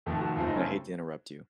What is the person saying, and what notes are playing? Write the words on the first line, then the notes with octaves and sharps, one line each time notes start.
and I hate to interrupt you.
F1 F2 D#3 A3 A4
F#4
F#2 C#3 A3 C4 F4
D#4
C#4